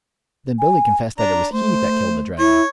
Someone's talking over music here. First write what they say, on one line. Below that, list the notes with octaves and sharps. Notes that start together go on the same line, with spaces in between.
Then Billy confessed that it was he that killed the dragon.
G#5
D4 D5 A#5
A3 C5
E4 C#5